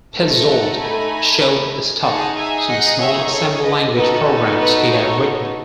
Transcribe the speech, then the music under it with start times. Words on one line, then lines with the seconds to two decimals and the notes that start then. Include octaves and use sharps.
Petzold showed the staff some small assembly-language programs he had written.
0.15 A3 D#4 A4 B4
0.47 F#5 A5
0.79 G#5 B5
2.05 D#4 G#4 F#5 A5
2.36 E5 G#5
2.68 D#5 F#5
3.00 C#5 E5
3.32 A4 C#5
3.63 B4 D#5
3.95 B3 D#4 F#4 A4 B4
4.58 B4
4.90 A4 C#5